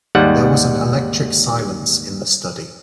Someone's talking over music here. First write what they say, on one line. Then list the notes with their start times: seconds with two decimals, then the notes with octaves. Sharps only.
There was an electric silence in the study.
0.15 D#2 G#2 G3 F#5